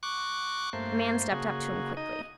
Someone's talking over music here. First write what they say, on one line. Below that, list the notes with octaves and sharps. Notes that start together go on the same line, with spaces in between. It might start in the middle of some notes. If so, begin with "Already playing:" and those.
A man stepped up to him quickly.
C#6 D6 F#6
G2 A3 A#3 C5
C#3 A#3 F#4 G#4
D#4 D#5